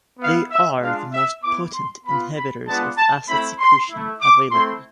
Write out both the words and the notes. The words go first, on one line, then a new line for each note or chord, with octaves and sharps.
They are the most potent inhibitors of acid secretion available.
B3 E4 F5
E5
G#3 D4 F4 F5
E5
B3 E4 D6
C6
B3 F4 B5
B5
G#3 B3 D4 F4 A5
A5
A3 C4 E4 B5
C6
A3 E4
D6
A3 C4 E4 C6